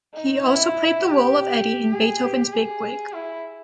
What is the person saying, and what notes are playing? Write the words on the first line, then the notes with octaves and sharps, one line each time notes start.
He also played the role of Eddie in "Beethoven's Big Break".
D#4
E4
G4
G#4
G4
G#4
E4